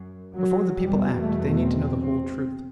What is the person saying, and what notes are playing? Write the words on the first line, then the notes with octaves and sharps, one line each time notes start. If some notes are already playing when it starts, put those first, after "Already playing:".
Before the people act, they need to know the whole truth.
Already playing: F#2
F#3
E2 B2 G3
A3
C4
C4